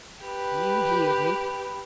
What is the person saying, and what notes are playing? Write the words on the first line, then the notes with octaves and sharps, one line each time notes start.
"You heerd me!"
G4 B4